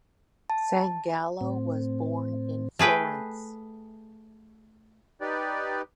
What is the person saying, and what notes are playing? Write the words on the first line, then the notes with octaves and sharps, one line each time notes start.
Sangallo was born in Florence.
A5
A2 C4
A3 G#4 B4 G5
D#4 G4 B4 D5